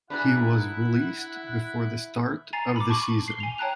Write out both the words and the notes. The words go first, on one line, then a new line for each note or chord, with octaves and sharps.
He was released before the start of the season.
D4 E4 G#4 B4 F#5 A#5 F#6
G#5 A#5 A6 C7
B5 D6
A5 C#6 D6 F#7
C7 G7
G#5 F7
C#5 G5 A5 A#5 F#6 F7